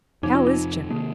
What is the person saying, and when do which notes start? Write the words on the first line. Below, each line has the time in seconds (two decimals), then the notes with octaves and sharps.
How is Jim?
0.23 F2 C3 F3 C4 D#4
0.35 F4
0.47 D#4
0.91 C3 D#3 A#3